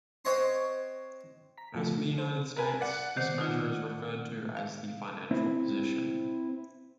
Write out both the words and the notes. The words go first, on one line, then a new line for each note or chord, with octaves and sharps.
As for the United States, this measure is referred to as the financial position.
C4 C5 C#5 D#5 F#5 C6
A#5 B6
B2 F3 A3
D3
C5
A#4 B4 G#5
D5 F#5
D#3 C5
D#4 F4
F5
C4 E4